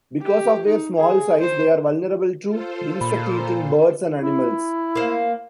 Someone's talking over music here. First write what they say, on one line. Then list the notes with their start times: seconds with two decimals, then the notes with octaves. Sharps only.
Because of their small size, they are vulnerable to insect-eating birds and animals.
0.22 G4
0.67 D#4
0.98 G#4
1.41 C5
2.46 F4 A4 C5
3.01 A#2 B5
4.20 E4
4.95 A#3 C5